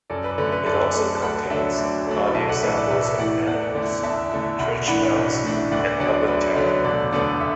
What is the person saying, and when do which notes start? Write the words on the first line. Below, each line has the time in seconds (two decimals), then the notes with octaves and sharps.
It also contains audio samples of animals, church bells, and public chatter.
0.10 F#2 A4 D5
0.24 B4
0.38 D3 A3 B4
0.52 B4
0.66 F#2 A4 D5
0.95 D3 A3
1.17 A5
1.22 D2 F#5 B5
1.50 D3 F#3 A3 D4 E5 A5
1.78 D2
2.07 D3 F#3 A3 D4
2.26 B5
2.35 B1 E5 A5
2.49 D5 F#5
2.63 A2 E3 B4 E5
2.77 A4 D5
2.91 B1 B4 E5
3.19 A2 E3 D5 F#5
3.47 E2 D5 F#5
3.75 D3 A3 E4
4.03 E2 E5 A5
4.32 D3 A3 E4
4.59 B1 F#5 B5
4.87 A2 E3 A3 D4 F#5 B5
5.16 B1
5.44 A2 E3 A3 D4
5.71 D2 D5 F#5
6.00 D3 F#3 B3 D4 D5 F#5
6.28 D2 B4 E5
6.56 D3 F#3 B3 D4
6.84 E1 A4 D5
7.12 D2 D3 B3 D4 A4 D5
7.41 E5